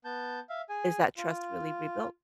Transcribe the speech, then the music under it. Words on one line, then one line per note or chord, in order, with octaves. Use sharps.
is that trust really rebuilt?
B3 A5 G6
E5 F5
G#4 G#5
F4